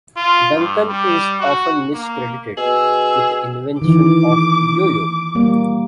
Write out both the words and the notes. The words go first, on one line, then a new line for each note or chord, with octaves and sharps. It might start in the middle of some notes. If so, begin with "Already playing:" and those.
Duncan is often miscredited with invention of the Yo-Yo.
F4
G2
G3
F#4
A#3
B2 G#4 E6
D#3 E3 D6
G3 A#3